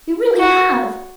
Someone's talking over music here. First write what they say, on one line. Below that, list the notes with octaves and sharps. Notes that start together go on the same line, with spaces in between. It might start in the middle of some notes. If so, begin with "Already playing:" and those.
We really have.
F#4